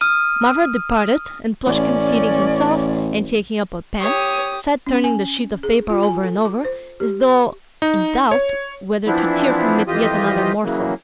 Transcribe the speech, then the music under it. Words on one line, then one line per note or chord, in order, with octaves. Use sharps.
Mavra departed, and Plushkin, seating himself, and taking up a pen, sat turning the sheet of paper over and over, as though in doubt whether to tear from it yet another morsel.
D#6 F6 D#7
A1 C#4 D5
G4 C#5 D#6
C#4
G#5
G#4
F4
G#5
A4
D6
C5
G4
D#4
C#5
E3 F3 B3 C4 D4 E4
F2 E3 F4 G4 D#5
C#3 E3 F#3 A#3